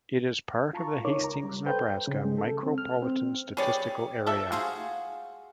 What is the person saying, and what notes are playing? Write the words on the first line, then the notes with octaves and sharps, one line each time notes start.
It is part of the Hastings, Nebraska Micropolitan Statistical Area.
F4 A5 A#5 C#6
D#4 A#4 C#5 C#6 D6
C#2 A#5
G3
A4 B4 C5 G5 G6
C#3
G#3
A4
C4
F6
C4
B3 G4 G#4 C#5 D5
F3 A4 E5
F4 F#4 G#4 C5